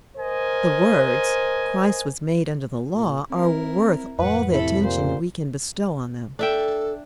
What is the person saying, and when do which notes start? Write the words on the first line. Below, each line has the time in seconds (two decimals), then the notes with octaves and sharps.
The words, "Christ was made under the law," are worth all the attention we can bestow on them.
0.16 A#4 C5 D#5 G#5
2.94 A#2
3.31 C4 E4 A#4
4.19 F2 A2 B4 F#5
4.52 C3 E4 A4 B5
4.83 A#2 C5
6.39 D4 A4 E5 G5